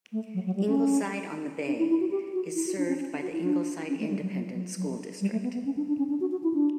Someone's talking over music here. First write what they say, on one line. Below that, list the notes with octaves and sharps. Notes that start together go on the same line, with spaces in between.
Ingleside on the Bay is served by the Ingleside Independent School District.
A3
F#3
F#3
G3
C#4
D4
E4
E4
F#4
G4
F#4
E4
F#4
D4
C#4
C#4
F#4
E4
D4
C#4
A3
G3
F#3
F#3
F#3
F#3
G3
A3
B3
B3
C#4
D4
D4
C#4
D4
F#4
F#4
E4
D4